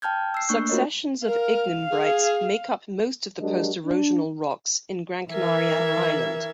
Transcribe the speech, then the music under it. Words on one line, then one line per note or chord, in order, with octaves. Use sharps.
Successions of ignimbrites make up most of the post-erosional rocks in Gran Canaria Island.
G5 A5 F6 G6 G#6
E6 C7
A3 A#3 D4 C#6 F#6 G6
F4 F#4 A#4 C#5 D#5
A#4 F5
G#4
F#3 G#3 D4 G4 A#4 D#5
D4
E3 A#4 E5 G#6